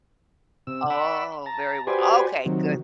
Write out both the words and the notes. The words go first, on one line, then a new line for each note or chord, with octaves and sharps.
Oh, very w okay, good.
C3 E6
D5 F#5 B5 E6
A5 A#5
F#4 G4 B4 C5 D5 G#5
C3 D#3 F#3